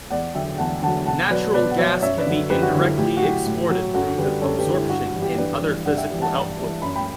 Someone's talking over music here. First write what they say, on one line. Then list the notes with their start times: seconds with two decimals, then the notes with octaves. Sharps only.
Natural gas can be indirectly exported through the absorption in other physical output.
0.10 E2 D5 F#5
0.35 D3 F#3 E5 G5
0.58 E2 F#5 A5
0.82 D3 F#3 F#5 A5
1.06 B2 F#5 A5
1.30 F#3 B4 D5
1.54 B2 B4 D5
1.71 F#5
1.78 F#3 C#5 E5
2.02 F#2 C#5 E5
2.18 B4 D5
2.26 D3 F#3
2.50 F#2 G4 B4
2.62 F#4
2.74 D3 F#3 E4
2.87 F#4
2.98 A2 E4 G4
3.17 F#4
3.22 F#3 E4 G4
3.46 A2
3.70 F#3
3.94 F#2 F#4 A4
4.18 D3 G3 G4 B4
4.42 F#2 A4 C#5
4.58 G4 B4
4.66 D3 G3
4.74 E4
4.89 G2 F#4
5.06 F#4
5.14 E3 G3
5.21 E4 G4
5.37 G2 B4 D5
5.62 E3 G3
5.85 G2 D5 F#5
5.97 E5 G5
6.10 E3 G3
6.22 F#5 A5
6.33 G2
6.57 E3 G3
6.82 F#2 B5
6.96 G5 B5